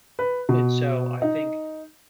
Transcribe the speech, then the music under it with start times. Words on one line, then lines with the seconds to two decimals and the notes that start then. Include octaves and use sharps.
and so I think
0.19 B4
0.49 B2
1.22 D#4